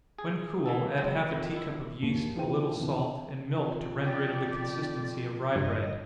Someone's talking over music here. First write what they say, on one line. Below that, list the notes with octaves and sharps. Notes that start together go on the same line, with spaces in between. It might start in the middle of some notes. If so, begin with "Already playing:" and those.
When cool, add half a tea-cup of yeast, a little salt, and milk to render it of the consistency of rye bread.
G#4
E3 A#3 A4
F#3 G#3 B3 C4 E4
F2 D#3
E4
A#1 D#2 A#2
E3 F4 G#4 C5 G5 D#7
F2 B2 D3 E3
F2
G4 D5
G1 D#5